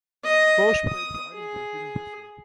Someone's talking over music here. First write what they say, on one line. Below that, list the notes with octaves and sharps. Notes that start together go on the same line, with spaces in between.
Welsh played for Edinburgh University.
D#5
D#6
G#4